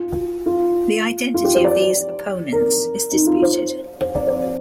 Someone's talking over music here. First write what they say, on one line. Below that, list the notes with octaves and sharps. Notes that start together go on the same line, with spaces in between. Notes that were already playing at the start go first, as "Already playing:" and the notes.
The identity of these "opponents" is disputed.
Already playing: F4
F4
F4
G4
C5
D5
A#4
D#4
F4
C5
C5
D5
C5
D5